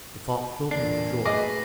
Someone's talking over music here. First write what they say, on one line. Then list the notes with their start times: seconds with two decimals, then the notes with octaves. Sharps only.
The thought filled them with joy.
0.71 E2 A#2 A#3 D4 C7
1.25 A3 F#4 G#4 B4 D#5 D6 A#6